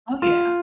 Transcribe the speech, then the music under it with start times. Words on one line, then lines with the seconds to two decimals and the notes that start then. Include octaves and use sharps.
Oh, yeah.
0.22 F4